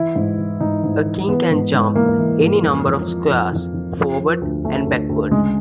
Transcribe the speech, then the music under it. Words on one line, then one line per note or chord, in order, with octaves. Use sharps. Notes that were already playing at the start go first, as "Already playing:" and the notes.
A king can jump any number of squares forward and backward.
Already playing: E3 E4
G#2
E3
G#2 D#4
G#2
E3
E3 B3
G#2
G#2
E3 A#3
E3
G#2
F2
F2
F3
F2
F2
F2
F3
F3
D2
D2 A3
D2
D2
C#3 G#3